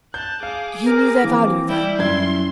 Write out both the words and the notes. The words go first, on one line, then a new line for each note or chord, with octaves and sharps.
"He knew their value, then?"
A5 F#6 G6
G#4 F5 D6
A#4
E3 F3 A#3 C4
G3 E4 G5
F#2 E4 C6 G#6